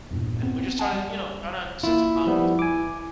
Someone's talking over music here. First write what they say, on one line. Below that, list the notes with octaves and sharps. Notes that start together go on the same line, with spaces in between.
And we're just starting, you know, trying to set some boundaries.
E2 G2 A#2
B3 C4
F#5 G#5 A5
G3
A#3 E4 F4
F3 G3 B3
G#5 D6